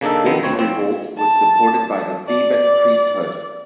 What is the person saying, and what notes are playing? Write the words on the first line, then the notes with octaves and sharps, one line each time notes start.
This revolt was supported by the Theban priesthood.
C#3 A#3 D4 D#4 A4
D#3 F3 B3 C4
D2 C4 C#5
F3 C4
A5
D5